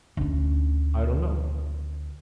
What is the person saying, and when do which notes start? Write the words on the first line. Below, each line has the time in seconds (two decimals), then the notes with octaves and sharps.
"I don't know."
0.17 D2 C#4